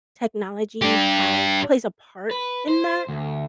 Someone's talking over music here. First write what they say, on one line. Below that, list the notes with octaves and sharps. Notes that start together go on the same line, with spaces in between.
technology has plays a part in that?
D4 G4
B4
C5
D2